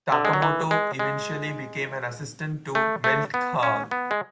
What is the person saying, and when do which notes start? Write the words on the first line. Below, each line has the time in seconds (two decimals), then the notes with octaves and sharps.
Takamoto eventually became an assistant to Milt Kahl.
0.12 D3
0.25 G#3
0.33 F#3
0.42 E3
0.71 G#3
0.99 G#3
2.75 A3
3.04 A3
3.34 B3
3.63 C#4
3.91 B3
4.11 G#3